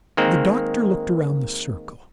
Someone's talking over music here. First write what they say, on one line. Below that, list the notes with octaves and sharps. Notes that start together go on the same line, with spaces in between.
The doctor looked around the circle.
D#3 G#3 A#3 C4